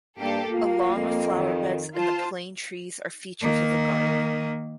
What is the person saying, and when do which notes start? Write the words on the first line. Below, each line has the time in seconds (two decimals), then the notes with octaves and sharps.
A lawn with flowerbeds and plane trees are features of the garden.
0.19 G2 A#3 G4 A4
0.52 A#3 F4
0.95 F2
1.35 D#3
1.94 F4 C5 A5
3.41 D#3 A#3